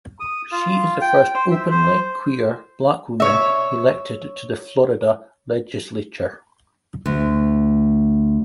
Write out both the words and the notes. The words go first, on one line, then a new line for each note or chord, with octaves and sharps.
She is the first openly queer Black woman elected to the Florida Legislature.
D#6
F4
G5
C5
E5
C5
C#5 E5
D2